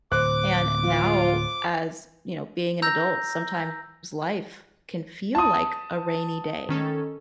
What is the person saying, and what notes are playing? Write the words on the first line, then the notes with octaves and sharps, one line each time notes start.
And now as you know, being an adult, sometimes life can feel like a rainy day.
D1 C5 D6 F#6
F4
A#5 E6 G6 A#6
A5 D#6
D#3 C#4 A4